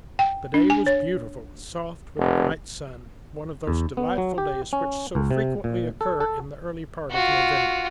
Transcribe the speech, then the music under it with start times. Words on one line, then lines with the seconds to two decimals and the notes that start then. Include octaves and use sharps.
The day was beautiful, soft, with a bright sun, one of those delightful days which so frequently occur in the early part of November.
0.19 G5
0.54 D4
0.70 G#5
0.86 C#5
2.18 F1
3.67 E2
3.97 B3
4.18 F#3
4.38 G4
4.73 C#4
5.15 C#2
5.31 C3
5.64 A#2
6.01 A4
6.20 A4
7.11 F4 F#4